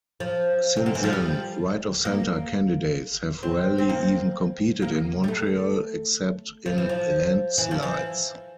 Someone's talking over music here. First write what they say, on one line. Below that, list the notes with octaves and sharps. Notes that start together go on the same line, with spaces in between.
Since then, right-of-centre candidates have rarely even competed in Montreal except in landslides.
F3
C3
D3
E3
F3
G3
A#3
C4
C4
A#3
A#3
G3
A3
F3
E3
F3
E3
F3
E3